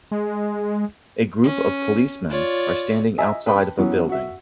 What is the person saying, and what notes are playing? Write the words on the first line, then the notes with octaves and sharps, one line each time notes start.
A group of policemen are standing outside of a building.
G#3
C#4
F4 C#5 D5
D#5 E5 G#5 A#5
B4 G5 A5 B5
E3 F#3 B3 C#4
F#4 E5